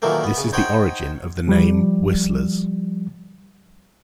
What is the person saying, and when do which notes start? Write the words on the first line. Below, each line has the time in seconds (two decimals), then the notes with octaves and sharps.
This is the origin of the name "whistlers".
0.02 A#2 D#3 E3 F#3 A3 A#3
0.24 B3
0.37 C#3
0.52 D#4 C5 C#5 F#5 G5
1.48 F3 G3